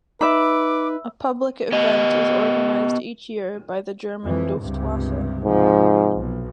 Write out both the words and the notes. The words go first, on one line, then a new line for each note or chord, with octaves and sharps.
A public event is organized each year by the German Luftwaffe.
D#4 B4 E5 B5 D6
B3 G4 D#5
F2 E3
C#2 G2 C3
G#2 C3 F3
B1